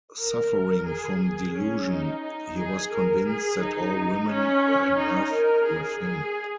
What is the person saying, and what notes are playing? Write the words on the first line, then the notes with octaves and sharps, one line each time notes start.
Suffering from delusion, he was convinced that all women were in love with him.
A#4
G#4
G#4
C#4
D#4
D#4
G#4
A#4
G#4
D#4
C#4
D#4
A#4
G#4
G#4